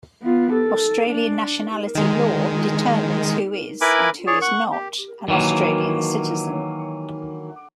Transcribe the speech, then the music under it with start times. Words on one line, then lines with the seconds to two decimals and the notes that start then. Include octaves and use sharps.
Australian nationality law determines who is and who is not an Australian citizen.
0.22 B3 F4
0.53 A4
1.09 D4
1.95 D#3 G#3
3.81 E4 A#4 B4 G#5 B5 D6
4.27 G#4 C#5 D5
4.42 F#5 C#6
4.72 G4
5.28 D#3 E3 F#3 A#3